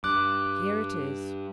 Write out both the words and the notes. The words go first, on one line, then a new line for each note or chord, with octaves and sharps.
"Here it is."
G2 D6 F#6